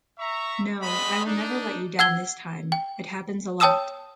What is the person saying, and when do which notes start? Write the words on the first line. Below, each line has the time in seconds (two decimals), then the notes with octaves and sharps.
No, I will never let you down this time, it happens a lot.
0.19 E5 A#5 C#6
0.81 G3 G#3 B3 G#4 D#5 B5
1.25 D4 D#4
1.99 F#5 E6 G#6 G7
2.72 G5
3.60 C#5 G5 A5 D#6 E6 E7